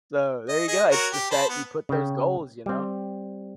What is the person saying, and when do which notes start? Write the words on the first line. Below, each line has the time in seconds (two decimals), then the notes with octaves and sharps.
So there you go. It's just that you put those goals, you know.
0.48 D#5
0.68 G#4 D#5
0.91 F#4 A#4 C#5
1.13 G4
1.31 C5 A5 B5
1.49 B3
1.89 C#3 G5
2.66 G3 C4